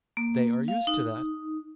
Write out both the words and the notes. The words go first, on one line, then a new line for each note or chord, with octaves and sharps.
"They are used to that."
A#3
F5
D#4